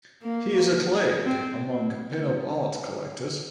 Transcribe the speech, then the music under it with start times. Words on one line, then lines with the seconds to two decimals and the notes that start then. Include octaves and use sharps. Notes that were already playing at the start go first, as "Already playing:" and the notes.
He is acclaimed among pin-up art collectors.
0.23 A#3
1.26 C4